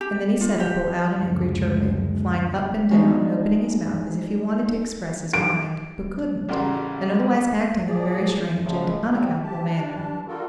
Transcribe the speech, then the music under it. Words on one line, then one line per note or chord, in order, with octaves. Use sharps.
And then he set up a loud and angry chirping, flying up and down, and opening his mouth as if he wanted to express his mind, but couldn't, and otherwise acting in a very strange and unaccountable manner.
G4
F4
G4
F#1 D2 G#3
G3 G#3 B3 D4 D#4 F#4
D7
A1 C#3 G3 F#4 A#4 C6
A#2 F3 G#4 D5
C#3 F3 F#3 G#3 A3
C3 E3 G3 A3 B3 C4
G4 A5
E3 G3 D4 A5
G3 A#3 F4 F#4 A4 A#4